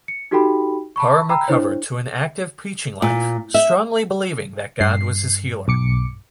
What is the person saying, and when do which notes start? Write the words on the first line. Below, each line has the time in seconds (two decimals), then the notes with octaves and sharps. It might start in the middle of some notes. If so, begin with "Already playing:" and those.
Parham recovered to an active preaching life, strongly believing that God was his healer.
0.08 C#7
0.31 D#4 F#4 G4 A4 G5 B5
0.96 A5 B5 C#6
1.29 G5 A#5 B5 E6
1.48 D4 E4 C5 C#5
3.02 A#2
3.54 E5
4.81 G2 C7
5.68 B1 D6 C#7